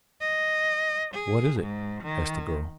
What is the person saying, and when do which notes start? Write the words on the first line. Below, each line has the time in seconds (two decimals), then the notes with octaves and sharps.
"What is it?" asked the girl.
0.21 D#5
1.14 G#4
1.60 G#2
2.04 D#3